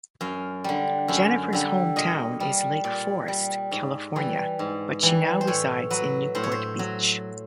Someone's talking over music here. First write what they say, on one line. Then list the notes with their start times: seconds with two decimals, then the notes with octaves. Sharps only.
Jennifer's hometown is Lake Forest, California but she now resides in Newport Beach.
0.21 F#2 F5
0.64 D3 G3
1.08 F#2 E5
1.53 D3 G3
1.96 A#2 D#5
2.40 G3
2.84 A#2 D5
3.28 G3
3.71 G#2
4.16 E3 G3
4.59 G#2
5.03 E3 G3
5.41 C5
5.47 A2 C#5
5.90 F#3 B4
6.35 A2 C5
6.43 C#5
6.52 C5
6.79 F#3